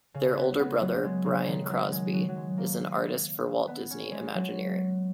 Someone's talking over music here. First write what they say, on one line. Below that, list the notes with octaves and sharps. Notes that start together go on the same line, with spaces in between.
Their older brother, Brian Crosby, is an artist for Walt Disney Imagineering.
C#3
B3
B3
F#3
G#3
C#3
D#3
F#3
G#3
F#3
F#3
G#3
A#3
B3
C#4
G#3
F#3